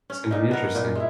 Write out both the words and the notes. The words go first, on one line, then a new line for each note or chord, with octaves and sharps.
It's gonna be interesting.
C#4
A#2 D#4
B3 A#4
A#2
G#3 E4